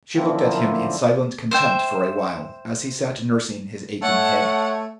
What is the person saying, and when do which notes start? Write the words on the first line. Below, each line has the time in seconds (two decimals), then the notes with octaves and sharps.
She looked at him in silent contempt for a while as he sat nursing his aching head.
0.16 F#2 D3 F3 A#3 C4 E4
1.51 C5 E5 G5
4.02 A3 C#5 F#5